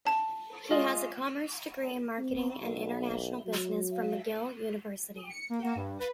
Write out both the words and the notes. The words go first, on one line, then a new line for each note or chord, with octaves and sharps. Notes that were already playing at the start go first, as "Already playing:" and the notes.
He has a commerce degree in marketing and international business from McGill University.
A5
G#3 F4 D#5
C4
B1
F#3
C#7
A#3
A#3
G2
B4